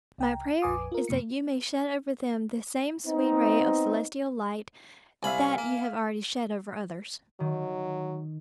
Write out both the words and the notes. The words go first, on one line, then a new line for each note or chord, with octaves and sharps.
My prayer is that you may shed over them the same sweet ray of celestial light that you have already shed over others.
C2 G5 A#5
A#1 F2 B4 G#5 D6 D#6
F4 A#4
F#2 C3 A#3 C#7
B3 C4 D#4
C2 E5 F5 G#5 B5
A#3
D#3 F#3